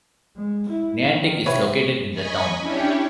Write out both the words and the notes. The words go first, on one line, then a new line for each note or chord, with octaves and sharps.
Niantic is located in the town.
G#3
E4
D#3
C3 E4 B4 C#5
D#5 G#5 B5 C#6
C#4 D4 E4 G4 C#5